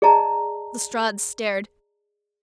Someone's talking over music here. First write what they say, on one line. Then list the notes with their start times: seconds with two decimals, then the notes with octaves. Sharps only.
Lestrade stared.
0.02 G#4 D5 D#5 A5 A#5